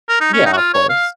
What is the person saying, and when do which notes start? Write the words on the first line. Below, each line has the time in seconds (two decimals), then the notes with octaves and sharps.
Yeah, of course.
0.09 A#4
0.21 D#4
0.33 C#4
0.46 D#4
0.53 F#4
0.57 F4
0.74 C#5
0.90 F5